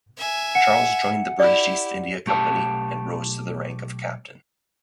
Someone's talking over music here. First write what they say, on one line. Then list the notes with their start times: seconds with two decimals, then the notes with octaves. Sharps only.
Charles joined the British East India Company and rose to the rank of Captain.
0.18 E5 G#5
0.55 F#5 C#7
1.40 E4 G4 D5
2.26 B1 A3 G4 A5